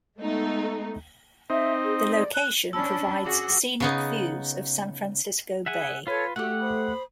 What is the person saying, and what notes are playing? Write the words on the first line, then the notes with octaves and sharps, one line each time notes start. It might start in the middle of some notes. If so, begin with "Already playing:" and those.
The location provides scenic views of San Francisco Bay.
G#3 A3 B3 D#4
C4 D#4 E5
G#4
D#6
D5
F#6
C#4 D4 A5 B5 E6
F#4 G#4 D6
C#3 B3 D#4
G#4 E5 F#5 G#5
F4 A4 B4 C#5
A3 F#4 G4 F#5
C5 B5 D#6